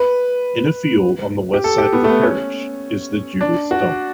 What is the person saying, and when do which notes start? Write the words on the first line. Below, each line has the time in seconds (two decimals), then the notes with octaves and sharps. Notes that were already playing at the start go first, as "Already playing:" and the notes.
In a field on the west side of the parish is the 'Judith Stone'.
Already playing: B4
1.54 G4
1.64 A4
1.78 G4
1.93 B3
2.04 A3
2.09 B3
2.23 C#4
3.41 D4
3.71 F#4